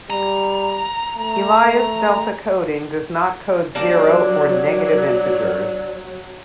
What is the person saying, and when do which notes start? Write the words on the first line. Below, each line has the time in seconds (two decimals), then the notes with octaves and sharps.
Elias delta coding does not code zero or negative integers.
0.10 G3 A#5
1.17 A3
3.75 F#3 G3 A#3 D4